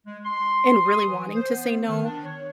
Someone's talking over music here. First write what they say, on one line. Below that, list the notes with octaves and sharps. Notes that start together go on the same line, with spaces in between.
and really wanting to say "no,"
G#3
C6
D#6
E3
C5
B3
D#3
D4
C#5